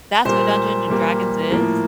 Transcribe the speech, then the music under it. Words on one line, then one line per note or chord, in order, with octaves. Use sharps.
That's what Dungeons& Dragons is?
A#2 G3 A#3 C5
A#2 G3 A#3
A2 F3 A#3